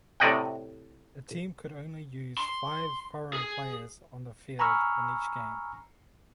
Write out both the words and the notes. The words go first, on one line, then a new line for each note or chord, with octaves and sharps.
A team could use only five foreign players on the field in each game.
A2 C3 D5 D#5 F#5 G5
C6
G#4
G#5 A#5 B5 C#6 E6 F6